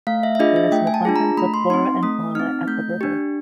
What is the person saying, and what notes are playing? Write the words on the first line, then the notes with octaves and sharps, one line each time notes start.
There is an abundance of flora and fauna at the river.
A3 F5
E5
E5
D4 F4 G#4 D#5
E5
A3 G5
G#5
A5
D4 F4 G#4
A#5
A3 B5
C6
C4 D#4 C6
A3 D#6
C4 D#4 F6
A3 G6
D4 G4